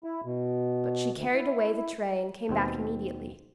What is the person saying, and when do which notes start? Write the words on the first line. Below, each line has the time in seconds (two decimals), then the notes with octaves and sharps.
But she carried away the tray and came back immediately.
0.04 E4
0.25 B2
1.13 D2
1.34 E4
2.49 D#2 B2 C4